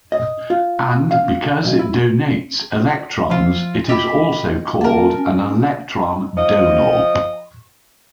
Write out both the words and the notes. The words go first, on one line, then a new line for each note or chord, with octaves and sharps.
And because it "donates" electrons it is also called an electron donor.
D#5
F4
F5
B1
E4
F3 E4 F4
G4 D#5 E5 B5
A#3 A#4 A5
C#4
F3 D#5